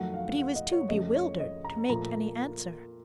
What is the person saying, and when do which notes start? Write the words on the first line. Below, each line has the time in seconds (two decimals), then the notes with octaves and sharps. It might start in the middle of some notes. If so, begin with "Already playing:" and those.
But he was too bewildered to make any answer.
Already playing: F2 D#3 F#3 A3 F#5
0.14 F5
0.38 F#5
0.55 D#5
0.72 C#5
0.88 F2 C#3 A3 D#5
1.15 C#5
1.40 D#5
1.64 A#5
1.90 A#2 F3 A3 A#5